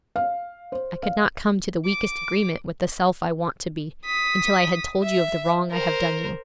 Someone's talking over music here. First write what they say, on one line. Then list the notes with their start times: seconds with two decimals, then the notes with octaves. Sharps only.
I could not come to the weakest agreement with the self I want to be, until I had told you of the wrong I have done you.
0.16 F5
0.72 C5
1.03 F5
1.85 D6
4.06 D#6 B6
5.03 E5
5.71 A#4 C5